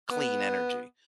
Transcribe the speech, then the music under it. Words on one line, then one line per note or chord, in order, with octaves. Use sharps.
clean energy,
B3